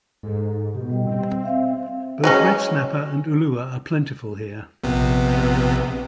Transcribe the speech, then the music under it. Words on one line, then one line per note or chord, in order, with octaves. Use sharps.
Both red snapper and ulua are plentiful here.
G#2 A4
B2 G4
G3 D#5 G5
C4
E5 F5
F#3 G#3 C#4
A#1 C3 B3